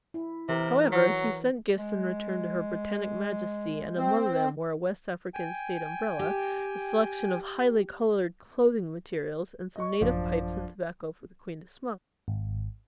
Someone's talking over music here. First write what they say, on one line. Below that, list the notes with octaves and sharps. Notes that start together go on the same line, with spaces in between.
However, he sent gifts in return to her Britannic Majesty, and among them were a West African state umbrella, a selection of highly coloured clothing materials, and some native pipes and tobacco for the Queen to smoke.
E4
C3 E3 A#4
F#3
G#3
C4
G5 G#5
G4
D#5 C#6
A1 F#2 F3 D4
G#1